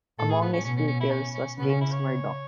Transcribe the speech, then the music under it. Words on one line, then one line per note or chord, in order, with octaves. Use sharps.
Among his pupils was James Murdoch.
A2 A4
G#4
B3
C#4
B2 C#4
C#4
C#4
E4
C#4
C#4
C#3 B3
C#4
E4
C#5